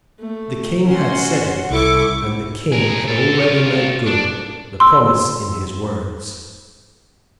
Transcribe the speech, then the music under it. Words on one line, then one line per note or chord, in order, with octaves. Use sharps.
The King had said it, and the King had already made good the promise in his words.
A3
C#4 F#4 F#5 C6
C2 E4 A4 C#6 D6
G#4 A#4
A4 C#5
F4 C#5
D4
C6 E6